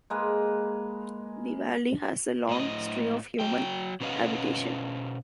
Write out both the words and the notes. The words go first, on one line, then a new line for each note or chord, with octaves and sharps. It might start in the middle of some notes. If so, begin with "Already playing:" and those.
The valley has a long history of human habitation.
G#3 A#3 B4
A2 D#5
F#3 G5
B2 C#4 B4 D#5 F5 F#5